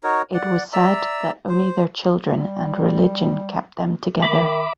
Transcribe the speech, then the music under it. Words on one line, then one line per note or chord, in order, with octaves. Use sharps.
It was said that only their children and religion kept them together.
D#4 F#4 A#4 C#5
D5 F#5
D5 E5 A#5 E6
C5
G3
D#3 E5 B5 D6